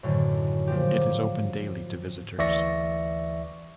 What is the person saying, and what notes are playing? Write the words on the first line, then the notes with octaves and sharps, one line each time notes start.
It is open daily to visitors.
F#2 A2 D3 D#3
A#2 F3 C4 G4
G#2
D2 E3 D5 E5 C#6 A#6